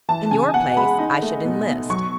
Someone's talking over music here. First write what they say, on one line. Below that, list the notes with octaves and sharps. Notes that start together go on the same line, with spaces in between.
In your place, I should enlist.
E3 A5
C#3 G#5
E2 F#5
G#3 B5
D#4
A3
B2
B2
F#3 C#6